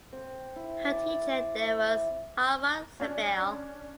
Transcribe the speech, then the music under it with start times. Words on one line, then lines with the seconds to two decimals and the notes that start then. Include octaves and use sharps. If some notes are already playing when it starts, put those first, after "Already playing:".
Her teacher there was Hartmut Zabel.
0.13 C4
0.56 E4
0.84 D5
1.64 E5
3.00 C#4 D4